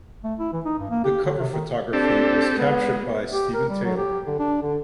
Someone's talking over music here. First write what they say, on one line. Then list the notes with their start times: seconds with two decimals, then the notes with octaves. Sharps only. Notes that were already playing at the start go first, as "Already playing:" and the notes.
The cover photography was captured by Steven Taylor.
0.24 A3
0.39 E4
0.52 E3
0.65 D#4
0.79 G2
0.91 A#3
1.04 G4
1.24 D3
1.38 C3
1.53 D#3
1.93 C4 D4 G4 A4
2.57 G#3 B3
3.31 G4
3.54 A#4
3.69 G3
3.84 F#3
3.97 G4
4.27 D3
4.39 D4
4.63 D3